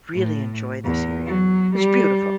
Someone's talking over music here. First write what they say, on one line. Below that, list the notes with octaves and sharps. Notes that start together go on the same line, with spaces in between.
really enjoy this area. It's beautiful.
A2
E2
F#3
G3